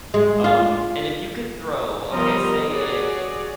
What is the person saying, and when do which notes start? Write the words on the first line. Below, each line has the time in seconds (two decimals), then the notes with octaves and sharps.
Um, and if you could throw okay, say if
0.14 G#3
0.44 F4
2.09 F3 G3 B3 A#4 D#5 A#5
2.69 F#4 G#4 C#5 D5